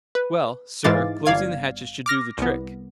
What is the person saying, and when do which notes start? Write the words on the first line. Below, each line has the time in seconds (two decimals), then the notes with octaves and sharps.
"Well, sir, closing the hatches should do the trick."
0.15 B4
0.84 G#2 E3 G#3 F5 D6 A6
1.26 G1 D5 F5 G#6
2.06 D6 F6 A#6
2.38 C2 B3